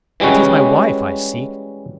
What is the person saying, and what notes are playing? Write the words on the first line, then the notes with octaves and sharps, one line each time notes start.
It is my wife I seek.
E3 G3 G#3 C#4 F#4